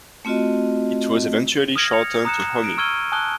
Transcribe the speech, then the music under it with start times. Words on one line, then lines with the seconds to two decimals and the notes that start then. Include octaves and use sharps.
It was eventually shortened to "homie".
0.25 A3 C4 F4 F#4 D#5
1.76 D#6 F6 G#6 A#6
1.93 C#7 F7
2.25 A#5 D#6 F#6 C#7 E7
2.64 D7
2.78 C#6 E6 F6 G#6 D#7 G7
3.12 G#5 A5 D#6 F#6 G7